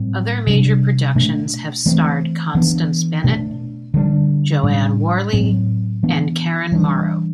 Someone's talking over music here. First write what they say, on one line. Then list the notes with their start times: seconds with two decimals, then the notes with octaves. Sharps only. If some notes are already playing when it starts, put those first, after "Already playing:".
Other major productions have starred Constance Bennett, Joanne Worley and Karen Morrow.
Already playing: A2 G3 C4
0.47 C3 G3 D4
1.15 B2 A3 D4
1.86 E3 A3 C4
2.55 E3 B3 D4
3.24 B2 A3 D4
3.94 D3 G3 D4
4.63 A2 G3 D4
5.33 A2 F#3 C4
6.03 E3 B3 D4
6.72 E3 G3 D4